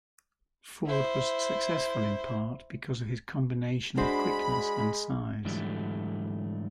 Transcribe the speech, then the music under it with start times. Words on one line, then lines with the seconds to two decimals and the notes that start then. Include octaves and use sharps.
Ford was successful in part because of his combination of quickness and size.
0.85 E4 C5
3.97 G#3 D4 F#4 C5 B5
5.45 G#2 D3 E3 F#3 G3 A3